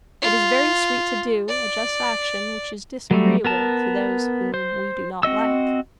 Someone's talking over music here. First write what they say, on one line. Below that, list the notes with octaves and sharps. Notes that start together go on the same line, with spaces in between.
It is very sweet to do a just action which is disagreeable to those whom we do not like.
F4
D5
F#3 G3 A3
B3 A#4 A5
C5
C4 F#4 D#5 E6